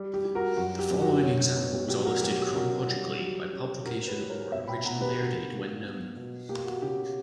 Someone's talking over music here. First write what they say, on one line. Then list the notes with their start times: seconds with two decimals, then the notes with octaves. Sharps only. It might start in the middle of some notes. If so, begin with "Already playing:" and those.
The following examples are listed chronologically by publication or original air date, when known.
Already playing: G3
0.14 G4
0.25 G3
0.35 F#4 A#4
0.57 F#2 F#4
0.79 G4
0.90 F#2
1.01 F#4
1.23 C#4
1.56 B2
1.88 F#3 G4
2.05 F#4 A#4
2.21 F#3 G4
2.38 G4
2.54 C#3 F#4 A#4
2.87 G3
3.20 F#3
3.53 C#4
3.86 C#4 F#4 A#4
4.07 G4 B4
4.19 G3
4.29 A#4 C#5
4.52 B2 C#5 E5
4.68 G5 B5
4.84 B2 F#5 A#5
5.00 G4 B4
5.17 D3 F#4 A#4
5.51 A#3
5.83 B3
6.16 B2
6.49 A#3 G4
6.66 F#4
6.82 C#3 G4